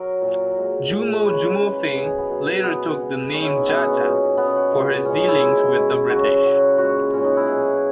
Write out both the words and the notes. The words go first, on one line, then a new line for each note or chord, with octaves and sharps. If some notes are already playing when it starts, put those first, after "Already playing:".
Jumo Jumofe later took the name "Jaja" for his dealings with the British.
Already playing: F#3 A#4
A#2 F#3
A#2 G#3
A#2 G#3
C#5
C#3 E3 G#3 B4
C#3 E3 G#3
B2 F#3 G#4
G#4
B3
B2 F#3
B2 G#3 B3
B2 G#3
B2 G#3 C#4
E4
D#4
B2 G#3 B3
C#4
D#4
A#2 F#3
A#2 F#3 B3
C#4
B3
A#2 G#3
A#2 G#3 C#4
D#4
E4
B2 G#3 E4
B2 G#3
C#3 F#3 F#4
C#3 F#3
A#2 G#3 F#4
A#2 G#3 C#4
D#4
E4
B2 F#3 G#4